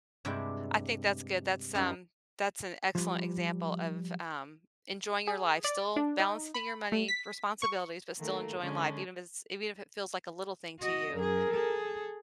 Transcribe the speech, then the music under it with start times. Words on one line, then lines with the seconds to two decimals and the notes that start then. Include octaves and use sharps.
I think that's good, that's, um, that's an excellent example of, um, enjoying your life, still balancing your money, responsibilities, but still enjoying life, even if it's even if it feels like a little thing to you,
0.25 G2 C3 G#3 D4 E4 G5
1.75 F#2 G3 D#4 F5
2.95 F3 G3
5.27 G#4
5.64 D5
5.96 D4
6.20 D#4
6.54 B5
6.92 A3
7.08 B6
7.62 C#6
8.19 D#3 A3 A#3
8.59 D3 G#3 C#4 D4
10.80 F#4 D#5
11.15 F#2 G#4 A#4
11.51 G#4 A4